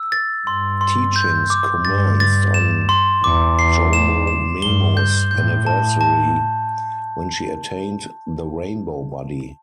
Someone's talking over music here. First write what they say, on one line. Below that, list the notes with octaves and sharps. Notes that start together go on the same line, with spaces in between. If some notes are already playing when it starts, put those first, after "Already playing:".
Teachings commenced on Jomo Memo's anniversary, when she attained the rainbow body.
Already playing: E6
A6
G2 C6
C6
G6
D6
G2 A6
A6
E7
C6
E2 D6
C7
E7
E7
G2 G7
G6
A2 G6
A5
A5